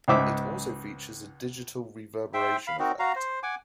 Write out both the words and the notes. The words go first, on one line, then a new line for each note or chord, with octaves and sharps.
It also features a digital reverberation effect.
C#2 G#2 C5 E5 D6 E6
C5 E5 G5
F5 B5
C4 D#4 F#4 A#4
F#4 F5 A#5
C5
F#5 G#5 D6